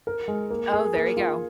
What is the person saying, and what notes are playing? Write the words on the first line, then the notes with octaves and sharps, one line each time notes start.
Oh, there you go.
A#4
G#3
A#3
G#4
A#3
F4